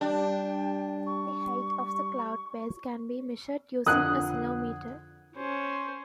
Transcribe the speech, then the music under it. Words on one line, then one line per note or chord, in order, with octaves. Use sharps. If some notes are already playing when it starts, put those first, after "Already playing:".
The height of the cloud base can be measured using a ceilometer.
G3 D4 G4 G5
C#6
F2 D3 F4 F#5 D#6 F#6 G#6
C#4 C5